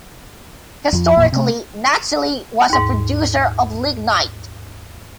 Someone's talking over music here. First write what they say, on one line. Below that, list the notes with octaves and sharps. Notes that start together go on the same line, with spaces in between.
Historically Nazilli was a producer of lignite.
F2 F3
A1 F2 A#2
C3 A3
D#2 G#2